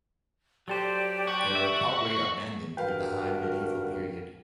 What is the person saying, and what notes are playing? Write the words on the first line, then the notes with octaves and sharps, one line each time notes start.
They were probably abandoned in the High Medieval Period.
F#3 G4 A4 C5 D5
F#4
E5
G#1 G2 F#4 A#4 B4 F5 G5